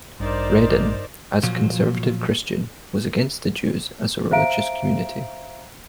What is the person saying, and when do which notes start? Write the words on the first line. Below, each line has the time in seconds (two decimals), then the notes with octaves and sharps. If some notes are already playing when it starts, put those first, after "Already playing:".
Rhedin, as a conservative Christian, was against the Jews as a religious community.
0.20 A1 G2 D#4 A#4 C5 D5
1.43 A#2 F3 F#3
4.31 C5 E5 F5 A#5 D7